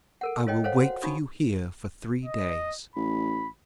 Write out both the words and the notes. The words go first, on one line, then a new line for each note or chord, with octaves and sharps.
I will wait for you here for three days.'
A4 A#4 F#5
F4 A4 C#5 D#5 G5
A4 C5 C#5 F5 F#5
F#4 C5 F#5
D4 D#4 F#4 B5 C#6 D#6
D#5
A1 B5